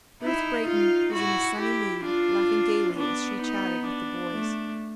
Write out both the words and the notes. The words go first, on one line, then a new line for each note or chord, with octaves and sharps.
Ruth Brayton was in a sunny mood, laughing gayly as she chatted with the boys.
D#4 E4
F4
E4 F#4
E4 G4
D4 F4
B3 D4
D#4
D4
A3